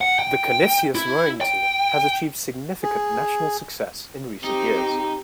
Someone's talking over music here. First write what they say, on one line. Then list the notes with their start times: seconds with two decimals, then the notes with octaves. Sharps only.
The Canisius rowing team has achieved significant national success in recent years.
0.01 F#5
0.19 G5
0.95 E4
1.41 G5
2.83 G#4
4.44 C4 D#4 G4